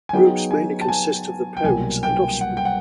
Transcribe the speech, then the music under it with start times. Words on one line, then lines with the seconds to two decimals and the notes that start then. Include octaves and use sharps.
Groups mainly consist of the parents and offspring.
0.09 G#5
0.13 F#3 B3 D#4 G#4 G5
0.51 G#5
0.81 A5
0.89 G#5
1.57 G5
1.64 C2 B2 F#3 A#3 G#5
2.03 G5
2.41 F#5
2.57 G5
2.65 F#5